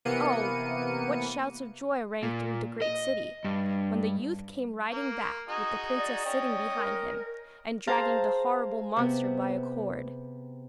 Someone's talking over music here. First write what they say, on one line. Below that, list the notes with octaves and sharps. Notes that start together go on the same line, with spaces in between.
Oh! what shouts of joy rang through the great city, when the youth came riding back with the princess sitting behind him, and dragging the horrible monster by a cord.
C3 E3 A#3 B3 C#7 D#7
A#2
D#5
G2
A#3
D#4 F#4 G#4
D5
C#4 D#5 G5
A#4
G#4 C5 F5 A5 A#5
C3 B3